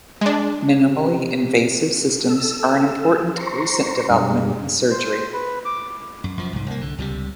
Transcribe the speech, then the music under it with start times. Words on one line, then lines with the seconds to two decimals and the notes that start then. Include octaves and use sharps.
Minimally invasive systems are an important recent development in surgery.
0.21 G#3 D4
0.79 C3
2.29 A4 E6
3.36 C5 A#5 C6 C#6
4.09 F#2 B2 G3 G#3 D4
4.91 C5
5.33 B4
5.65 D6
6.24 F#2
6.37 F#2 F3
6.53 C2 G#2
6.66 C2 A#3
6.81 D3
6.98 C#2 C3 F#3 G3